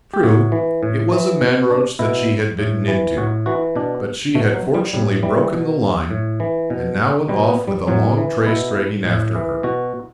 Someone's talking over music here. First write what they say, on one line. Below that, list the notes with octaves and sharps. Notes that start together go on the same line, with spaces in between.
True, it was a man-roach that she had bitten into, but she had fortunately broken the line, and now went off with a long trace dragging after her.
G4
A2 F#4
E3
A2
E3
B2
D4
B2 E4
A2
E3
A2 F#4
E3 F#4
B2 D4
B2 A3
F#3
G3
A2 G3
E3 G3
B2
A2
E3
B2
B2 G3
B3
G3
A2 F#3
E3
B2 E4
A2
E3
B2 F#4